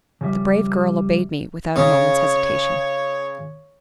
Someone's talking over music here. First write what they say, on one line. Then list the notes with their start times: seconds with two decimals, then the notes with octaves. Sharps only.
The brave girl obeyed me without a moment's hesitation.
0.21 C#3 F3 G3 E5
1.76 C#3 C#5